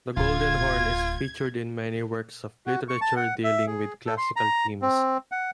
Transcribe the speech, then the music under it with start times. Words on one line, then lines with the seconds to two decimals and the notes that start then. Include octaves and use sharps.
The Golden Horn is featured in many works of literature dealing with classical themes.
0.17 D1 F4 G#6
2.66 F#4
2.88 C#6
3.01 A5
3.16 F#5
3.44 E5
3.67 G#4
4.06 A4
4.17 C6
4.36 A#5
4.82 C4
5.32 F#5